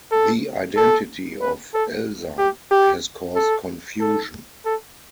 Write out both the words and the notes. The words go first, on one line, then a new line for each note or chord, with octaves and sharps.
The identity of "Elsa" has caused confusion.
A4
A4
B4
A4
G4
G4
A4
A4
A4